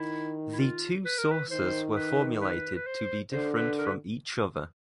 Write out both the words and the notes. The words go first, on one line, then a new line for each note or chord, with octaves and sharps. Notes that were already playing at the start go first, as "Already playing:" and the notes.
The two saucers were formulated to be different from each other.
Already playing: D#3 E4
E4
F4
B4
A#4
B4
D#3 C5
B4
B4
B4
C5
D3 C5
B4
A#4
B4